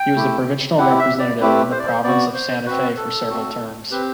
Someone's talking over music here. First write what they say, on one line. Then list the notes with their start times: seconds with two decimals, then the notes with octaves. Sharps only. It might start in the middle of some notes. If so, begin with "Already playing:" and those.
He was provincial representative in the province of Santa Fe for several terms.
Already playing: G5
0.15 A3 E4 G4
0.78 C4 E4 G4 F#5
0.99 E5
1.19 D5
1.41 A3 C4 E4 G4 B4
1.71 C5
1.79 D5
1.87 C5
2.03 B3 F#4 D5
2.34 C5
2.66 C4 F#4 B4
2.97 A4
3.29 A3 C4 F#4
3.91 C4 G4 B4